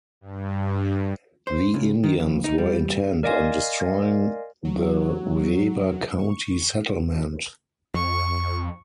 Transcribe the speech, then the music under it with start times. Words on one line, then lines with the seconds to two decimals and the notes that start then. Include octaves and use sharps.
The Indians were intent on destroying the Weber County settlement.
0.21 G2
1.47 C5
1.74 C#2
2.04 D#3
2.20 F2
2.44 D#4
2.58 G3
3.23 A#4 D5 D#5 F5 G#5 C6
4.65 F#3
6.19 C#6
7.94 F2 C#6